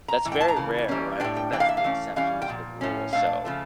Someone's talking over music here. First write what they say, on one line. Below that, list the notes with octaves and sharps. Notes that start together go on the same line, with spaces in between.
that's very rare, right? I think that's the exception to the rule. So
A#5
A2 E3
G5
A5
A#5
C#3 E3 A#3
E3 G3 A#3 C#4
A2 G3 D4 G5
G5
E3 A#3 D4 G5
F5
E5
F5
E3 A3 C#4
E3 G3 C#4 F5
G5
A#2 F3
A2 F3 C#4
A#2 A3 D4 F5
C#3 F3 A3